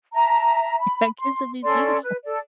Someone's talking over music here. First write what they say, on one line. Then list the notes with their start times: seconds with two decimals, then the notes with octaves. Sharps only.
our kids will be beautiful.
0.15 E5 A5 A#5
0.80 B5
1.19 C6
1.64 C#4 A4 D5 C6
2.03 B4
2.24 A4 D5